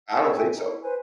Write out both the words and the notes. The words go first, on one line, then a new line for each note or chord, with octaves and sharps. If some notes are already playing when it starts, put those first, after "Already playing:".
I don't think so.
F#5 G#5 A5 F6
G#4 A4 C#6 E6
E5 G5 G#5
D#4
E4
B4 C5 G#5